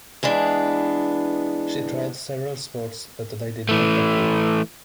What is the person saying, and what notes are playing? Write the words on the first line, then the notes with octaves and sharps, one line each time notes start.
She tried several sports but they did not appeal.
E3 G#3 B3 D4
E3 A3